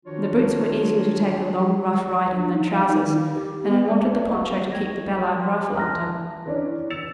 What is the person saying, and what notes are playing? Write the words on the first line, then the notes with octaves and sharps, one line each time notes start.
The boots were easier to take a long rough ride in than trousers, and I wanted the poncho to keep the Ballard rifle under.
D#3 F3 D4 F4 F#4 C#5
D4
D#4
F5
D#4
D#3
G4
B3
D5
D#5 F5 F#5 C#6
G5 G#6 A#6
C6
A5 A#5 C6 F6 F#6 A#6
E3 C#4 D4
E6 A6 C#7 E7 F7